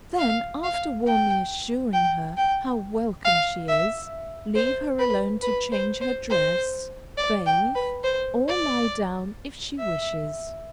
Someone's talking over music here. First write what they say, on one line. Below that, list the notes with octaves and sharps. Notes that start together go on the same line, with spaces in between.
Then, after warmly assuring her how welcome she is, leave her alone to change her dress, bathe, or lie down if she wishes.
F5
F5
G5
G5
G5
F5
E5
C5
B4
B4
C5
C5
C5
D5
G5
B4
C5
D5
E5